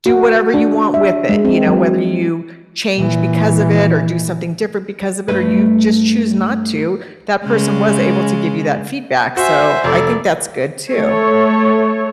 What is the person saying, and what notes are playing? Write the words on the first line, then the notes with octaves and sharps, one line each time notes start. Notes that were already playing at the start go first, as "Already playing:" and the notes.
do whatever you want with it, you know. Whether you change because of it or do something different because of it, or you just choose not to, that person was able to give you that feedback, so, I think that's good too.
F#4
D4
E5
G#3
C4
F#3
A#2 E3
G2 A3 B4
C#3 G#3
F#4 C5 E5 G#5
F1 A4 D5
A3 A4 C#5